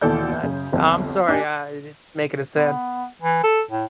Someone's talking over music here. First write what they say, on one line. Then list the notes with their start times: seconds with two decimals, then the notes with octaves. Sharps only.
that's I'm sorry, I it's making it sad.
0.01 D#2 B2 E3 A4 D5 G6
0.43 F#2 C#3
0.73 G1 C2 F2
1.28 D4 G4 G#5
2.56 B3
3.22 E3
3.43 A4
3.71 A2